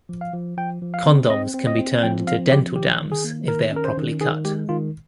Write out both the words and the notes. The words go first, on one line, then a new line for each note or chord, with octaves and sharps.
Condoms can be turned into dental dams if they are properly cut.
F3
F5
F3
F3 G5
F3
F5
C4
C4 D#5
C4
D#5
C4
F3 G5
C4 F5
F3 G4
D#3 G4
D#3
G#4
A#3
D#3 A#4
C#4 A#4
C5
D#3
D#3 G#4
G#3 G4
D#3 F4